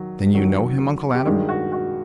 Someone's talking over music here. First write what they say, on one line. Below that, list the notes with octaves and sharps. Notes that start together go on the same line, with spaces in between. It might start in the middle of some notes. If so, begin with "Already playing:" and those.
Then you know him, Uncle Adam?
Already playing: D#3 F#3
F#2 D#3 F#3
G4
G2 D#3 G#3 F#4
F#4
F#4